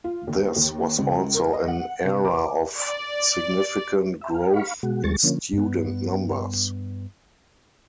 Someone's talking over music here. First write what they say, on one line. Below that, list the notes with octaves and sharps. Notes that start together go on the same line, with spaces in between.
This was also an era of significant growth in student numbers.
F4
D#2
D#2
C#2
A#4
D#5
F#5
C3
D6
D5
E5
F5
F5 B5 C#6
B2 G#3 F#4
D#2 G3 G#3 C#6 A6
D3 F3 A#3 C#4
G2 B3